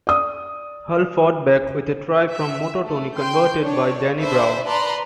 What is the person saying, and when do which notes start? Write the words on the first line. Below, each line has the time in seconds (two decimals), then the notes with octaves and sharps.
Hull fought back with a try from Motu Tony converted by Danny Brough.
0.07 D5 D#6
2.33 E5
2.83 A3
3.18 G5 C6 G6
3.61 D4 C#5
4.21 D4 B4 C5 E5
4.67 B4 D5 A5 A#5 C6